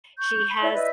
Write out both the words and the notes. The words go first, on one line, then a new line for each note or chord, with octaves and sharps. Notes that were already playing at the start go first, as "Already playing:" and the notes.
She has
C#6 G6
B5
E4 C#5 D5
B4 D#5 E5